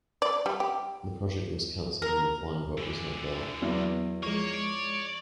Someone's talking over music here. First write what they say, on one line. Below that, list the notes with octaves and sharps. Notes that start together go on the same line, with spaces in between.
The project was cancelled and the flying boat was not built.
D5
G3
G4
A#4
D3 E3
E2 F#3 B3
F3 G#3 A#3 C#5
D5